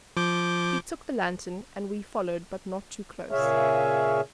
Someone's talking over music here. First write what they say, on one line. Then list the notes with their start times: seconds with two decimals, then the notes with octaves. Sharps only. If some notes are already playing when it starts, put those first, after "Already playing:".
He took a lantern and we followed, but not too close.
0.17 F3 D6 G6
3.31 A#2 C#3 G#4 C#5 E5 F5